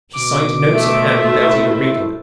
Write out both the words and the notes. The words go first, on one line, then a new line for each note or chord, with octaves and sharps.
She signed notes of hand without even reading them.
B2 D6
D#3 A3 C5 E5
E4